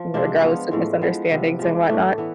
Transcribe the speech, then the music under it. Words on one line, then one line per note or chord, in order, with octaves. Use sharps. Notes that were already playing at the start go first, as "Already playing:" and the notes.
regardless of misunderstandings and whatnot.
Already playing: F3
C3 G#3 D4 F4
F3 B3 F4
A2 F3 G#3
F3 G#3 B3
C3 F3 B3
F3 G#3 D4
A2 E3 A3 D4
E3 B3